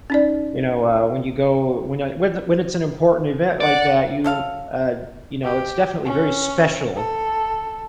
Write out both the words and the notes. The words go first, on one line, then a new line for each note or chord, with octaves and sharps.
You know, uh, when you go when a whe th when it's an important event like that, you, uh, you know, it's definitely very special
C#4 D#4 D5
D5 F#5
F#3 A4 F5
G4
C#4
A4